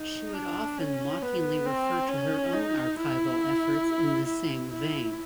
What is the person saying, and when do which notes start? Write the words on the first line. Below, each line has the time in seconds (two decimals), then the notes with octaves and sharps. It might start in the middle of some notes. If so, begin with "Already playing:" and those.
She would often mockingly refer to her own archival efforts in the same vein.
Already playing: D#4
0.34 D4
0.79 C#4
1.22 B3
1.66 C4
2.08 C#4
2.52 D#4
2.96 E4
4.27 E4
4.70 E4